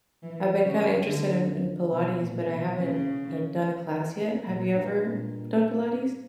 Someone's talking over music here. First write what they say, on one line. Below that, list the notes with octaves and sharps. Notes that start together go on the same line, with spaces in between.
I've been kinda interested in in Pilates, but I haven't, like, done a class yet, have you ever done Pilates?
E3
C#3
D3
B2
A#2
B2
C#3
A#2
G2
A#2